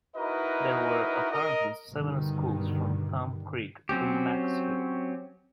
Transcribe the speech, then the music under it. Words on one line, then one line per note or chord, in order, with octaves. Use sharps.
There were apparently seven schools from Thumb Creek to Macksville.
D#4 E4 F#4 A#4 B4 D#5
A#4 D#5
G2 B2 D3 D#3 G3
F#3 C4 C#4 G4